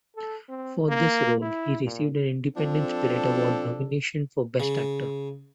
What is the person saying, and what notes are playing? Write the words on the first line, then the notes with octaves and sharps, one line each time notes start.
For this role, he received an Independent Spirit Award nomination for Best Actor.
A4
C4
A#3
E4
A#2
F3 C4 D4 A4
C#3